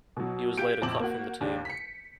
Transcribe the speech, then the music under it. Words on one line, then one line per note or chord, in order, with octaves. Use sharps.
He was later cut from the team.
B2 F#3
G4 F5 G6 D7
A#1 F2 A5 D6 F#7
A#3 F#4
D#2 D4 G4
B6 C#7